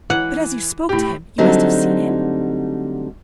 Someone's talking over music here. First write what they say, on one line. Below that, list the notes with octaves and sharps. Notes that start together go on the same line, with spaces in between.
"But as you spoke to him you must have seen him."
E3 F#5
A2 G4
D3 F#3 G3 A3 C4 D#4